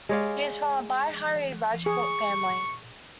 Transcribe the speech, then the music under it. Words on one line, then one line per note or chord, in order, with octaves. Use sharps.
He is from a Bihari Rajput family.
G#3 C#5 D5 F5
G#4 C#6